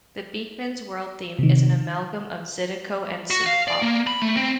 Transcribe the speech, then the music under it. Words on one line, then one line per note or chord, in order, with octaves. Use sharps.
The "Beakman's World" theme is an amalgam of Zydeco and Synthpop.
C3 D#3
F#4
F5
D5
A#3
B5
A3
C4